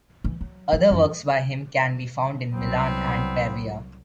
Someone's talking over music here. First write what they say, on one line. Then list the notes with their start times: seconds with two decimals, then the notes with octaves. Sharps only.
Other works by him can be found in Milan and Pavia.
0.24 E3
0.41 F#3
0.73 F3
0.91 F#2
2.54 C2 F#3 B3 C4